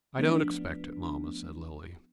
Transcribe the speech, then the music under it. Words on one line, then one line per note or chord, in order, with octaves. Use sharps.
"I don't expect it, mamma," said Lily.
F3 A3 B3 D4